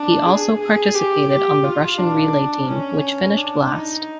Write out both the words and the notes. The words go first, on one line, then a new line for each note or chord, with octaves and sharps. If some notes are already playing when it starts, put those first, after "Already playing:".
He also participated on the Russian relay team, which finished last.
Already playing: D4
G#4
G#4
G4
G4
F4
D4
C#4
D4
D#4